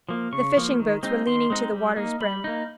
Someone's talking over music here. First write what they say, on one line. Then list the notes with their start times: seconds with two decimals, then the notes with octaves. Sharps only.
The fishing-boats were leaning to the water's brim.
0.09 F3 A#3
0.32 C#3 C#6
0.57 F3 A#3
0.80 D#3
1.03 G#3 C4 D#4
1.27 D#3 C6
1.50 G#3 C4 D#4
1.73 G3
1.96 A#3 D#4
2.20 G3 B5
2.44 A#3 D#4